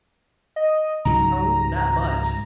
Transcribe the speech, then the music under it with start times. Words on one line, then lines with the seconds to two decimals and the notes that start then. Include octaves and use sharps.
Oh, not much.
0.56 D#5
1.05 C#2 G#2 F#3 A#5